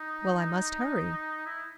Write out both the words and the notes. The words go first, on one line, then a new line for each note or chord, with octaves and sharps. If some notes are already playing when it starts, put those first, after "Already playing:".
Well, I must hurry.
Already playing: D#4
E4